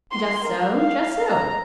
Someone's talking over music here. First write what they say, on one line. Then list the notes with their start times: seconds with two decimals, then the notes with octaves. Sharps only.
'Just so, just so.
0.11 C6
0.45 A#4
0.77 F5
1.28 A#5